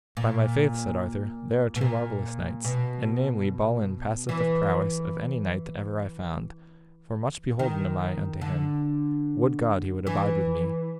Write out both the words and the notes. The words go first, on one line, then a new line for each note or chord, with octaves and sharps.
By my faith, said Arthur, they are two marvellous knights, and namely Balin passeth of prowess of any knight that ever I found, for much beholden am I unto him; would God he would abide with me.
A#2
B2
A#2
B2
E3
D#3
D3
E3